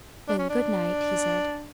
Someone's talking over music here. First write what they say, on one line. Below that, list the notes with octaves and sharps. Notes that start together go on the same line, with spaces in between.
"Well, good night," he said.
D4
C#4
D4